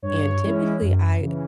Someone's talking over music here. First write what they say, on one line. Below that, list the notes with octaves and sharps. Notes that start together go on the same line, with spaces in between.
and typically I
G2 C#5
E3 G#3 C#4 E4
F#2
C#3 E3